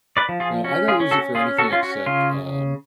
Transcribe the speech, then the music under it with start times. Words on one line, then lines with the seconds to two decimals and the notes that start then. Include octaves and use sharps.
No, I don't use it for anything except, um,
0.17 B4 D5
0.29 F3
0.40 F4 G#4
0.64 C#4 F#4
0.88 F4 G#4
1.00 C#4
1.11 F#4 A4
1.35 C#4 F4 G#4
1.58 F#4 A4
1.71 C#4 F4
1.83 F#4
2.06 C#3 F4